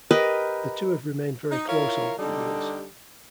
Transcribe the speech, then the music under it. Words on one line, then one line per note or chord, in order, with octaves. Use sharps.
The two have remained very close over the years.
G4 A#4 B4 D#5
D#4
E4 F4 A#4 C#5 F5
D3 G3 D#4 G4 A4